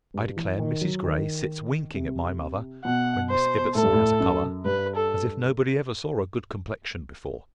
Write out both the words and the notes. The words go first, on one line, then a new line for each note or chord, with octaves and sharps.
I declare Mrs Grey sits winking at my mother when Miss Ibbotson has a colour, as if nobody ever saw a good complexion before.
G2
E3
D#3
F#3
D#3
C3
B2 F#5
C5
A2 A4
G2
A2
F#2
G2 B4
A4